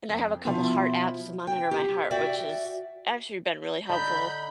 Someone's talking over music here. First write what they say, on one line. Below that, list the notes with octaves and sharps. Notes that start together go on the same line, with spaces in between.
And I have a couple heart apps to monitor my heart, which has actually been really helpful.
F2
B2 F3 E4
G5
G4
F#4 D5 E5 G5
D3 D#5 A#5 B5 G6